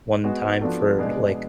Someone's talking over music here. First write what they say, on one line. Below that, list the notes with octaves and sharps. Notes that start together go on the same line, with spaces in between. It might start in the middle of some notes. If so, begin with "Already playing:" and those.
one time for, like,
G#3 B3 F#4
F3 B3 D4 F#4 A4
B2 G#3 D4